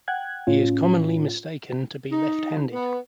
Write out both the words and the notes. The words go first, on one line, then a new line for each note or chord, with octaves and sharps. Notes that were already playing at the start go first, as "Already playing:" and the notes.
He is commonly mistaken to be left-handed.
F#5 G5 F#6 G#6
A2 C#4 F4
D#4
B3